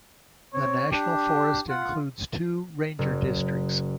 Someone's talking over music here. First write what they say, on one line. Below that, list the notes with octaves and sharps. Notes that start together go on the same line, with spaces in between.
The national forest includes two ranger districts.
C4 C#5
D4 G4
F4 F#5
F#1